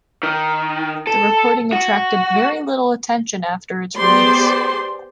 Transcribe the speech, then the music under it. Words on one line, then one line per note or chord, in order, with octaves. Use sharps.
The recording attracted very little attention after its release.
D#3
A4
F#4
B3 G4 G#4 C5 D5 C6